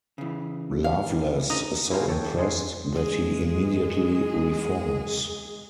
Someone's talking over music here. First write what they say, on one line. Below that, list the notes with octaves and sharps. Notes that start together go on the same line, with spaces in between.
Loveless is so impressed that he immediately reforms.
C#3 E3
F5
A2
D3 C#4 D#4
E4 F#4 B4 C5 F5 G#5
A4 C#5 G5
F2 D4 G#4 C6
G#3 G#4